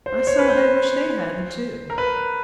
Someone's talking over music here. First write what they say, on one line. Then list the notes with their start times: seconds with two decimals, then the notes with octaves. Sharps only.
I saw they wished they hadn't too.
0.06 C5
0.27 C#5
0.39 B4
0.49 C5
1.90 A#4
1.98 B4